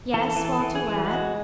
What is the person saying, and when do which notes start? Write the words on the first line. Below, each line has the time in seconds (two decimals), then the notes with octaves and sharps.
"Yes, Walter, lad?"
0.13 E3 A4
0.36 E3
0.45 A4
0.60 E3
0.75 G#4
0.83 E3
1.06 G#3 F#4